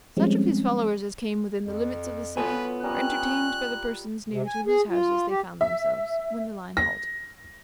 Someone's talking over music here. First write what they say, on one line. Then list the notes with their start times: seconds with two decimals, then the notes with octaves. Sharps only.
Such of his followers as came within the limits of the city were entertained by the persons near to whose houses they found themselves when the line halted.
0.17 F3 G3 G#3 C4 C#4
1.66 F2
2.37 F#3 B3 F4 A4 B4 G#5
2.83 G3 C#4 A#4 D#6 F#6
4.31 C3
4.47 G#5
4.66 G#4
4.90 F4
5.29 G4
5.61 E5
6.77 A#6